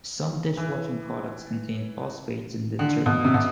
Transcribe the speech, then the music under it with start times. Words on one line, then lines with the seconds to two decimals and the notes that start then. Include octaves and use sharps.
Some dishwashing products contain phosphates in detergent.
0.57 E3
2.79 D3
3.06 B2
3.24 C3
3.34 B2